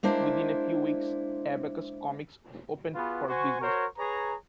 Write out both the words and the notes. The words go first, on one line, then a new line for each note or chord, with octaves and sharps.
Within a few weeks, Abacus Comics opened for business.
G#3 A#3 D4 E4 C5
B3 F4 F#4 G#4 B4
F#4 C5 G#5 C#6
F#4 A#4 C5 C#5
G#4 B4 C#5 A#5